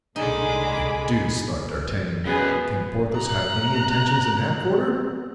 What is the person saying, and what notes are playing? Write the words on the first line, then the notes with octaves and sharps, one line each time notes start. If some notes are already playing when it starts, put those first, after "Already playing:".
"The deuce," thought D'Artagnan, "can Porthos have any intentions in that quarter?"
C2 A#2 D3 G#3 D#4 G#4 B5 D6
F#2 B3 G#4 B4
A#5 F#6